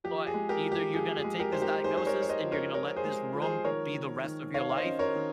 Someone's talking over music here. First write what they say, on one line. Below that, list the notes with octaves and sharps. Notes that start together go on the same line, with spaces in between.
But either you're gonna take this diagnosis and you're gonna let this room be the rest of your life,
F3 G4
G#4
G#3
G4 A#4
F3
G4
F3 G#4
G#4
G#3
G4 A#4
D#4 C5
G4 A#4
D#4 G#4 C5
C5
A#4 C#5
D#4
C#5
C5 D#5
F3
A#4 C#5
F3 A#4 C#5
G#4 C5
G#3
F3
G#4 C5
D#3 A#4 C#5
D#3
D#3
D#3 C#5 F5
F5
C5 D#5
C#4
A#4 C#5
D#3